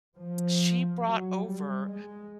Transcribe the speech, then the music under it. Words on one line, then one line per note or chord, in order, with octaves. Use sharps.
she brought over
F3
F#3
G3
G#3